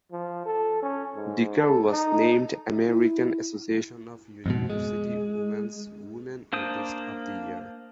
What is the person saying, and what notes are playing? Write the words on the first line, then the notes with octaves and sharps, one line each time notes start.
Dicker was named American Association of University Women's "Women Artist of the Year".
F3
A4
C#4
G#2
A4
D#4
E4
F2 G#2 B2
G#3
A#3 D4 C5 D#6